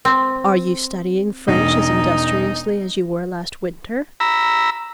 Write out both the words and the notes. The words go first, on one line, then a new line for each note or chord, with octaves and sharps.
'Are you studying French as industriously as you were last winter?'
C4
E1 D#4
A#5 B5 E6